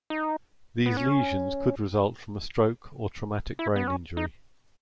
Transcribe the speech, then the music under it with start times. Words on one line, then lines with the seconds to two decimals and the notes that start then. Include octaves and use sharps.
These lesions could result from a stroke or traumatic brain injury.
0.10 D#4
0.86 B3
0.97 C#4
3.59 E4
3.76 B3
3.88 C#4
4.17 D#4